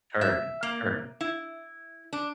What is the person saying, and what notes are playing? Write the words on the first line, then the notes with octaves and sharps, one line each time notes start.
Heard. Heard.
E5
A#3
E4
D4